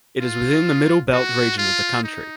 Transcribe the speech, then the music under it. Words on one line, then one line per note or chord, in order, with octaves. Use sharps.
It is within in the Middle Belt region of the country.
F4
F#4
F4
D#4